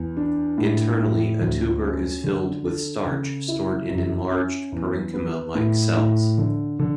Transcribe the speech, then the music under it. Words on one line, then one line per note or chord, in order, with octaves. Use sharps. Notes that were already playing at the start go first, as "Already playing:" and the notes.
Internally, a tuber is filled with starch stored in enlarged parenchyma like cells.
Already playing: E2
D4
A2
A2
D2
C#4
D3
A4
C#3
E4
F#2
C#4
E2
B3
A2
A2
D3
D3